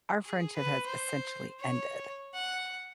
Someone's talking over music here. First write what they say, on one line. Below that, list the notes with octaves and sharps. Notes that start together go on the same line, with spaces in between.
our friendship has essentially ended,
G#4
B4
C5
C#5
F#5